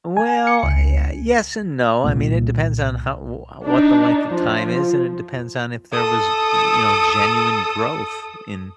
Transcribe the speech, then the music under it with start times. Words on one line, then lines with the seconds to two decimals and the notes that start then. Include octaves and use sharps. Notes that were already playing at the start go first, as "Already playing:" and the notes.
Well, ye yes and no. I mean, it depends on how w what the length of time is, and it depends on if there was, you know, genuine growth in
0.17 G#5
0.47 C#7
0.63 C#2
2.04 C2 A#2
3.66 D4 D#4
4.30 F3
5.93 A4 D#6